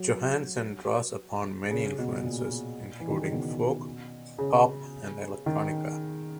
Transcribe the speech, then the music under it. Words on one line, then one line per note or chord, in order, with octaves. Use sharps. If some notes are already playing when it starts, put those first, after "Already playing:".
Johansen draws upon many influences, including folk, pop, and electronica.
Already playing: F#3
C#3
B2
A#2
E3
D#3
C#3
B2
C#3
D#3